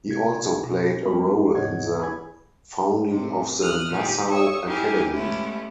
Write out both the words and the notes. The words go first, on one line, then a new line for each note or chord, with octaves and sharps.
He also played a role in the founding of the Nassau Academy.
C3 G#6
B2
G3 B3 C#4 A#4 B5
G#2 C3 C#5 D#5 F#5 G#6
G#5 B5 G#6
A2 C3
D#6 F6 F#6
A#2 D#3 G4 G#4
C#5 C#6 D#6 E6
E4 G4 G#4 A#4 G#5
G#3 A3 B3 C#4 E4 G4